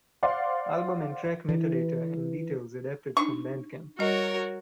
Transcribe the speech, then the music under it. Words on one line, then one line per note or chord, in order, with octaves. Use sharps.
Album and track metadata and details adapted from Bandcamp.
C5 D5 F5 F#5 C6
E3
D4 D#4 C#6
G3 F#4 A#4 C#5 D#5